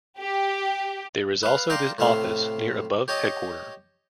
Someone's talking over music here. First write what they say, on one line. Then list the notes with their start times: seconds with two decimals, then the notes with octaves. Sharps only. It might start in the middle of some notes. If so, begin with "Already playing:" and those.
There is also this office near above headquarter.
0.20 G4
1.43 B4 F5
1.70 D5 F5 G5 A5 A#5 C6
1.98 A2 C3 E5 F5 C6
3.08 G4 C#5 D#5 A5